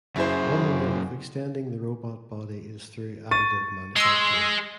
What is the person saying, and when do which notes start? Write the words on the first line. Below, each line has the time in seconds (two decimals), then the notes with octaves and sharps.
One way of extending the robot body is through additive manufacturing.
0.16 F#2 C#3 E4 G#4 C5
3.31 C#6 A6 D#7
3.96 G#3 C6 E6